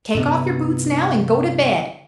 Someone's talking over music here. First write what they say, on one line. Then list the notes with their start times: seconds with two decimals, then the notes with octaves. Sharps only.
Take off your boots now and go to bed.
0.15 G2 C3 B3